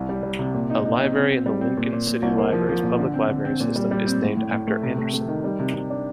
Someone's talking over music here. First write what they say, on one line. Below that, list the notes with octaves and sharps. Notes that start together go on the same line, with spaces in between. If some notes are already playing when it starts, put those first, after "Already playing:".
A library in the Lincoln City Libraries public library system is named after Anderson.
Already playing: C2
G3
G3
C3
A#2
D#4
D#4
C4
C4
C4
G3
C4
A#2
A#2
A#2
C2
A#3
F3
F3
A#2
D3
C4
D3
C4
A#2
G3
G3
C4
A2
A2
A2
A3
C3
A3
A3
D#3
G3
C3
C3
D4